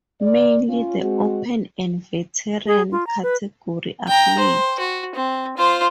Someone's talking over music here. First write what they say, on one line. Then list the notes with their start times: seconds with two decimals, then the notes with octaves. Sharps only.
Mainly the Open and Veteran category are played.
0.22 D5
0.69 C#4 F4
1.01 G#3 C4 F#4
2.67 G#4
2.92 F4
3.07 A#5
3.23 B4
4.08 G5 A#5
4.39 C5
4.80 F#4
5.15 C4
5.57 F4 C5